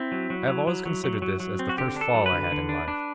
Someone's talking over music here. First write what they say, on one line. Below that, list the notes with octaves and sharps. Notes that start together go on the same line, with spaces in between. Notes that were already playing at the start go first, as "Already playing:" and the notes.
I have always considered this as the first fall I had in life.
Already playing: C4 E4
F#3
F#3
F#3
F#3
F#3
F#3
F#3
F#3
C4
F#4
D3 G4
D4
A4
F#3
B4
D3
D3
D4
D4